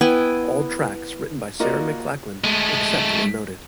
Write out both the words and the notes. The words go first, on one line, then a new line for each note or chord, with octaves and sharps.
All tracks written by Sarah McLachlan, except where noted.
B3 E4 G5 G#5
A#3 F4 F#4 A#4 D5 D#5
G#3 A3